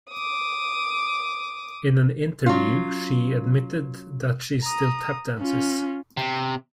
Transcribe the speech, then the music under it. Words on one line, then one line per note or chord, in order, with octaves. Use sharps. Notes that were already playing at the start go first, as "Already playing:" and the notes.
In an interview, she admitted that she still tap dances.
D6 D#6
F#3 C#4 F4
A#5 D#6
C#4 F4
C3